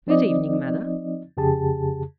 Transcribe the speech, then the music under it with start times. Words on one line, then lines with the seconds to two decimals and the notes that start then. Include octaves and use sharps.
'Good evening, Mother.'
0.07 F3 C4 D#4 D5 D#5
1.37 F2 C#3 G4 G#4 A5